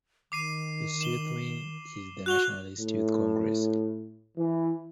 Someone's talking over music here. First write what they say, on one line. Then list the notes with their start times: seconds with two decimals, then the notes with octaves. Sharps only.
Its youth wing is the Nationalist Youth Congress.
0.32 D#3 D6 C7 D#7
1.01 E7 F#7 G7
2.26 F#4 F#6 F7 G7
2.78 A2
4.37 E3